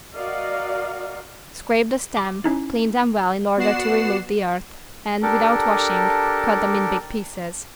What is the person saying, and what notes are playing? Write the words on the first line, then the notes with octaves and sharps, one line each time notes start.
Scrape the stem, clean them well in order to remove the earth and, without washing cut them in big pieces.
F#4 A#4 D5 D#5 F5 F#5
D6
C#4 D#4 E4
B3 F#4 D5 F#5 C7 E7
D4 G4 A4 A#4